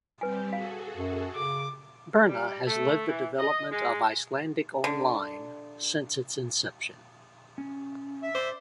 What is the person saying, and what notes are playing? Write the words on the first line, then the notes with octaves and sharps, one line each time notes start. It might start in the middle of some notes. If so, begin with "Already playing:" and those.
Birna has led the development of "Icelandic Online" since its inception.
G3 C4 G4 B4 G#5
F#4 G#4 A4 F5
F#2
C#3 D6
G3
A3
E3
D#5
G#3
D3
C#4
E5
C5 D5 C6 D6